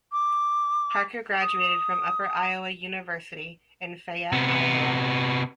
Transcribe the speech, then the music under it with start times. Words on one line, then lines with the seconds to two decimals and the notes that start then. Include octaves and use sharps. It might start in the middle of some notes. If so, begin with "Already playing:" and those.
Parker graduated from Upper Iowa University in Fayette, Iowa.
0.12 D6
1.41 D#6
4.32 C3 B3